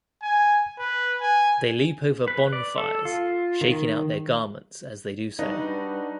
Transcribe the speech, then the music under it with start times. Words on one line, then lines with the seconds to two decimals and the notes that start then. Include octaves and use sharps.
They leap over bonfires, shaking out their garments as they do so.
0.22 G#5
0.79 B4
1.21 G#5
2.28 B4
2.53 D5
2.78 A4
3.05 F4
3.61 D#3
5.39 G3 D4 D#4 F#4 B4